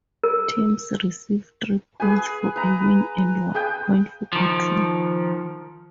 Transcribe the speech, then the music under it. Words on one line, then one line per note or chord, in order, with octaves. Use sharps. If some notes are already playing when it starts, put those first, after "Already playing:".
Teams receive three points for a win and one point for a draw.
A#4
G#4 B4 G#5
B4 A#5
G#4 B4 G5
D#3 F3